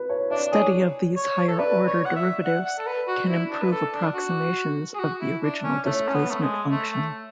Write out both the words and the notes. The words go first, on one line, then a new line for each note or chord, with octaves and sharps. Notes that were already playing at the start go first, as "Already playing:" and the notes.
Study of these higher order derivatives can improve approximations of the original displacement function.
Already playing: B4
C#5
D4 D5
G#4 C#5
C#5
A4
B4 D5
C#5
F#5
E5
F#5
F#5
A4
B4
F#4
E4
D4
B4
A4
D4
F#4
G#4
F#4
E4
D4
C#4
A3 C#5
C#4
B3
A3
G#3
A3
A3